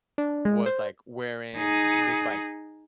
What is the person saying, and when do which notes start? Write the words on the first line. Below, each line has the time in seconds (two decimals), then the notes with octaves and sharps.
was, like, wearing this, like,
0.18 D4
0.45 G#3
0.66 C5
1.56 D#4 G#4